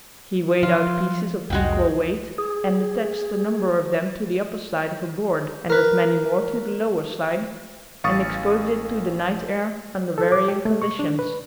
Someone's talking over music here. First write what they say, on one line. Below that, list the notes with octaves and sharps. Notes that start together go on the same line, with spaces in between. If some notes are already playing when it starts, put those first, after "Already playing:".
He weighed out pieces of equal weight and attached a number of them to the upper side of a board and as many more to the lower side, and exposed it to the night air under varying conditions.
F3 F4
F1 C2 G#3 F#4 G5
G#4
A#4 B4
A1 F5 C#6 D#6 A6
A4
D6
G4
A3
C#6
D4
B4